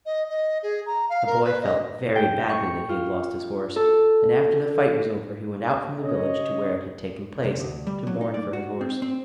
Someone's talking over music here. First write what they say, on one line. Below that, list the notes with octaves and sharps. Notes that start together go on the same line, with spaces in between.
The boy felt very badly that he had lost his horse; and, after the fight was over, he went out from the village to where it had taken place, to mourn for his horse.
D#5
D#5
G#4
A#5
F5
A#4
B4
D#5
G5
C#6
F4
A4
C#3 C#4 C#5 D#5
C3
D2
G3
F#3
D#4
D5
F#4
C4
C4